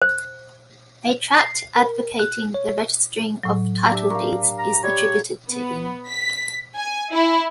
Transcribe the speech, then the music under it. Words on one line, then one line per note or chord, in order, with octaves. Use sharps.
A tract advocating the registering of title-deeds is attributed to him.
C5
C7
A#4
F#6
C#5
A2 F#3
D4 G4 E5
A#4 F5 C#6
A#5
G3 C#5
B3
B6
G#5
E4